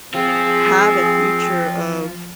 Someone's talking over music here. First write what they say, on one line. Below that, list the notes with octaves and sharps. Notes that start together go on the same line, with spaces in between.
have a future of
F3 C4 F4 G#4